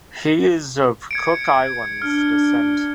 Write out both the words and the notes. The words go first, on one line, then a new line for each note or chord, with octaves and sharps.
He is of Cook Islands descent.
G#6 C#7 D7
D4 F6